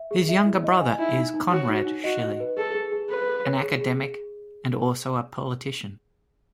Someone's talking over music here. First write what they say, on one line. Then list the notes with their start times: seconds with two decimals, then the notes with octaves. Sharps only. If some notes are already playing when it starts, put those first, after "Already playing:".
His younger brother is Konrad Schily, an academic and also a politician.
Already playing: E5
0.11 G#4
0.29 E5
0.45 E4
0.64 D#5
0.82 G#5
0.99 D#4 E4
1.16 D#4
1.34 D#4
1.51 F#4 C#5
1.69 D#4
1.86 D#4
2.04 F#4 D#5
2.22 D#5
2.40 B4
2.57 G#4 A4
2.74 G#4
2.92 G#4
3.10 A4 B4
3.27 A4
3.45 C#5
3.62 G#4
3.81 G#4